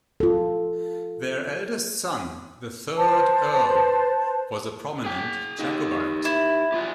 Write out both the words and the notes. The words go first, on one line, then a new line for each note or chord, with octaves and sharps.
Their eldest son, the third Earl, was a prominent Jacobite.
F4 A4
B4 C5 A5
G#4 G5
D#4 G4
E4
D4 F4 G4